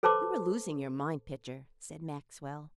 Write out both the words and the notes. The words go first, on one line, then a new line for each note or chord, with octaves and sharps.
"You are losing your mind, Pitcher," said Maxwell.
A4 B4 C5 A5 C6 D6